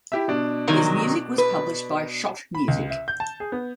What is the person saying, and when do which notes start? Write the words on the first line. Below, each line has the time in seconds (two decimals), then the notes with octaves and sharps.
His music was published by Schott Music.
0.12 E4 G4 E5
0.28 B2 D4
0.68 C3 D#3 F#3
1.38 B4
2.55 B5
2.68 C#2
2.90 E5
3.08 G6
3.20 A5
3.40 G#4
3.52 B3